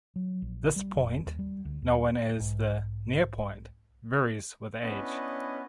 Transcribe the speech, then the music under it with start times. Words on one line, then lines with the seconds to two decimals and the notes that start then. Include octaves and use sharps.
This point, known as the "near point", varies with age.
0.16 F#3
0.42 A#1
0.76 G3
0.95 F1
1.26 D#2
1.39 G3
1.65 D2
1.82 D#2
2.40 B1 G#2
4.83 B3 C#4 D4 E4 D#5